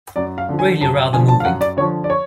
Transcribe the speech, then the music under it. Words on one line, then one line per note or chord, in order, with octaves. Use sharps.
Really rather moving.
F#2 D5
F5
D3 F3
G#5
F#2 A5
D3 F3 G#5
A5
F5
F#2 F#5
D5
D3 F3 C#5
D5
C#5